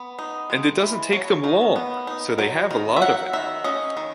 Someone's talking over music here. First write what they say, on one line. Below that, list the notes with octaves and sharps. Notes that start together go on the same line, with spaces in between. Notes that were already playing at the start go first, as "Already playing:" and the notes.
And it doesn't take them long, so they have a lot of it.
Already playing: B3
D#4
G#3
E3
F#3 C#5
D#3
B3
D#4
F#3
D#3
E5
F#3 F#5
D#3 E5
C#4 D#5
D#3